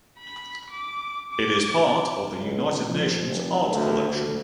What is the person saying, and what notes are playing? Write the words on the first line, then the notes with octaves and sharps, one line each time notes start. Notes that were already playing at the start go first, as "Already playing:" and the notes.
It is part of the United Nations Art Collection.
B5
D6
D6
C#2
F3
F1
D2
D2